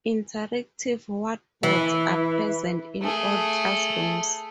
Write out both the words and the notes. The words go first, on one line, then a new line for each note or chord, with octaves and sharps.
Interactive whiteboards are present in all classrooms.
E3
A3 G#4